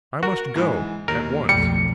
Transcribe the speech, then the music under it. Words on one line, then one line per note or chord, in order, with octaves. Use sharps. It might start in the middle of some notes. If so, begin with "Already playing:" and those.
I must go--at once.
F#4 A#4
G#2 E3
D#2 A#4
B1 F2 G3 A3 C#7